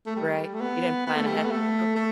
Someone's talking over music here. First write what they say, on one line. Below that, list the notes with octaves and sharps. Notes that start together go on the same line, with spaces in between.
Right, you didn't plan ahead? You
A3
G3
A3
B3
B3
A3
G3
A3
B3
A3
A3